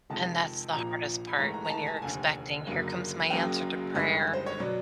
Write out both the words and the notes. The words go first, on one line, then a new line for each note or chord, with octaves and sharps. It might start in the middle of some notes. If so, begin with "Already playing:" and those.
and that's the hardest part when you're expecting, "Here comes my answer to prayer,"
F2 C3 D#3 G#3 A5
A#1 A#2 F3 A#5
B5
G#1 G#2 E3 A3 A#5
A#5
A#5
A5
G#5
F1 D#2 D3 G#5
F#1 F#2 D3 F#3 A#3
F#1 F#2 C#3 F#3 A#3 G5
G1 G2 D#3 G#3 D#5
C5
C#5
B2 F#3 D5